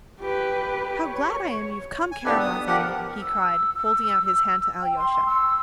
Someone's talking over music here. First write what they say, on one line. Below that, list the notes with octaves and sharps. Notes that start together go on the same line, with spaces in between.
"How glad I am you've come, Karamazov!" he cried, holding out his hand to Alyosha.
G4 B4
C#5
G#5
B3 D4 G4 A4 B4
D#6
F3 G4 A#4 F#5
E6
E6
G5
C6
E6